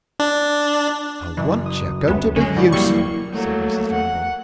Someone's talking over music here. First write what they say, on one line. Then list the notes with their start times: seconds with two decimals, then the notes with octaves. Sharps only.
"For once you are going to be useful," said Mrs. Lambole.
0.20 D4
1.37 F#1 E3
1.66 D#6
2.08 D2 C#3 B3
2.36 D3 G#3 C#4
2.56 B2 E4 D5 G6
2.72 E2 F#3 G3 A#3 C#6
3.34 F#3 A3 A#3
3.92 F#5